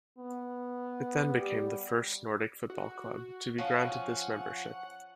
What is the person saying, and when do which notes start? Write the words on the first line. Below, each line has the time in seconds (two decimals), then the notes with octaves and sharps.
It then became the first nordic football club to be granted this membership.
0.18 B3
1.37 G3
2.70 F#4
3.58 F3 C#4 F#5